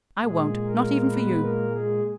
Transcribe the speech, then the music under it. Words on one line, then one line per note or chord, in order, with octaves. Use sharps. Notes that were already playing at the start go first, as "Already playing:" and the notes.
I won't, not even for you.
A#2 G#3 G#4
A#3 A#4
B3 B4
A#3 A#4
G#3 G#4